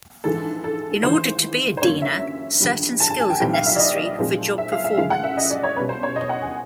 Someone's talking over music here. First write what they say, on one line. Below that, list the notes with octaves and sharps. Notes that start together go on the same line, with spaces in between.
In order to be a diener, certain skills are necessary for job performance.
A#1 G#2 E3 G#3 A4
A4
G#1 G#2 E3 C5
C5
F#2 D3 F#3 A#3 C#5
E5
A#1 G#2 D#3 G3
A5
A5
G#5
G5
B1 A#2 G3 C4 G5
F5
E5
D5
D#5
B1 A#2 F3 G#3 C4
E5
F5
E5
F#2 C#3 F3 G#3 F5
F#5
E5
D#5
D5
C#5
C#2 B2 G3 B4
C5
C#5
D#5
F#5
G#5